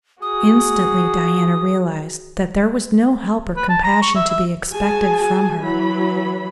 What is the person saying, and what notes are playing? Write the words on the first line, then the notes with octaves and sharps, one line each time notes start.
Instantly Diana realised that there was no help or compassion to be expected from her.
F#4 G#4 D#6
B4
A5
A#5
C#6
E5
E5
F#4 G#4 G#5 A5
E3 F#3 B5